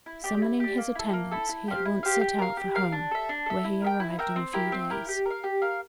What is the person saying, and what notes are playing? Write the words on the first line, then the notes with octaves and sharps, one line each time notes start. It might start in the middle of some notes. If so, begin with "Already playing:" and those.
Summoning his attendants, he at once set out for home, where he arrived in a few days.
E4
G4 D5
E4
G4 D5
A#3
E4 A4
A#3
E4 A4
E4
G4 C5 F5
E4
G4 C5 F5
G4
A#4 F5
G4
A#4 F5
D4
A4 E5
D4
A4 E5
E4
A#4 E5 G5
E4
A#4 E5 G5
C4
E4 G4 A#4
C4
E4 G4 A#4
G4
A#4
F5
G4
A#4 F5